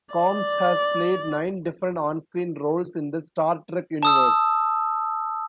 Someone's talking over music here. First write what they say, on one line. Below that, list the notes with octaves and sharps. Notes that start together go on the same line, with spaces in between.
Combs has played nine different onscreen roles in the "Star Trek" universe.
D5
A5 D#6 E6